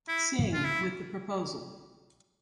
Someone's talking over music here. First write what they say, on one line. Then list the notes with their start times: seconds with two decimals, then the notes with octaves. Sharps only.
Singh with the proposal.
0.08 E4
0.54 F4
0.64 E4